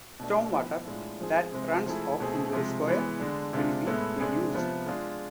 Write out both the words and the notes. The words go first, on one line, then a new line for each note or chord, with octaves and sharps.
Storm water that runs off into the square will be reused.
B2 A3 D4
F3 B3 E4
A2 G#3 D4 F4
F3 G#3 C4 G#4
C3 G#3 C4
F3 A3 E4 G#4
B2 A3 C4 G#4
C3 F3 G#3
E3 G#3 B3
D3 G#3 D4
C3 G#3 D4 F4
A2 G#3 B3 E4 A4
C3 G#3 D4 G#4
C3 F3 B3 F4
G#3 D4 F4 G#4